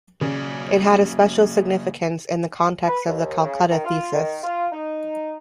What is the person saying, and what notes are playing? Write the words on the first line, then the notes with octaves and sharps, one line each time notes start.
It had a special significance in the context of the 'Calcutta thesis'.
C#3 F#3 A#3 D5
B4
D#2
C#3
D#3
F4
D#3
F4
D#4